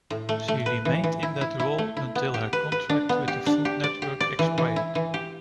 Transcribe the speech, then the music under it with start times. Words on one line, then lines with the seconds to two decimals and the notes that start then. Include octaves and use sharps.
She remained in that role until her contract with the Food Network expired.
0.10 A2
0.29 A3
0.48 A3
0.66 B4
0.85 E3
1.04 E3
1.23 E4
1.41 E4
1.60 E4
1.78 A3
1.97 E4
2.15 B3
2.34 G4
2.53 B4
2.72 B4
2.89 D4
3.09 B3
3.28 G4
3.46 D4
3.65 G4
3.84 D5
4.02 G4
4.20 D5
4.39 E3
4.58 E3
4.76 E4
4.95 E3
5.14 G4